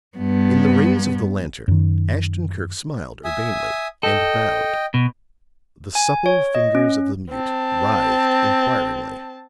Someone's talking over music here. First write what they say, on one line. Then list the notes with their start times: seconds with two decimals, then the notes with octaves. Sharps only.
In the rays of the lantern Ashton-Kirk smiled urbanely, and bowed. The supple fingers of the mute writhed inquiringly.
0.18 G2 B3
1.68 F#2 D#3
3.24 E5 G#5 D#6
4.03 A4 D#5 G5
4.94 B2
5.95 G#5
6.26 C#5
6.55 D#5
6.75 C#4
7.30 C4 A5